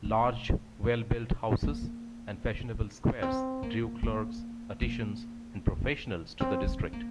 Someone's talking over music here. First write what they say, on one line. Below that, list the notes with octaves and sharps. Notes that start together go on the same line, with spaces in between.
Large well-built houses and fashionable squares drew clerks, artisans and professionals to the district.
A3
A#3
C4
A#3
A#3
A#3
C4
C4
A#3